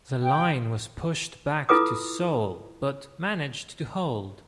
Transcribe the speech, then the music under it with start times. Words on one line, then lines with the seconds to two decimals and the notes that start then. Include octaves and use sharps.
The line was pushed back to Seoul but managed to hold.
0.23 G5
1.69 E4 F4 A4 B4 D6 D#6